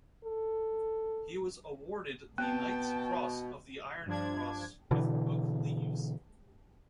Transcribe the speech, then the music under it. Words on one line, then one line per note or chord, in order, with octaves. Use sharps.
He was awarded the Knight's Cross of the Iron Cross with Oak Leaves.
A4
B2 B3 C4 G5 A5
G2 F3 D4 G#6
B2 D3 E3